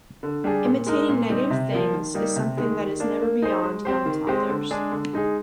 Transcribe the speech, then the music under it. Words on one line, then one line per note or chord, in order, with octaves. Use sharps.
Imitating negative things is something that is never beyond young toddlers.
D3
G3 D4 G#4
A#2
G#3 D#4 A#4
A#2
G3 C4 D#4
C3
F3 A#3
D#3
G3 A#3 D#4
C3
D#3 G#3
D#3
A#3 D4
A#3
D#4 G#4 C5
G#3
C4 G4 C5
D#3
G#3 C4 G4 C5
D3
G#3 D4 G#4
D3
G#3 D#4 G#4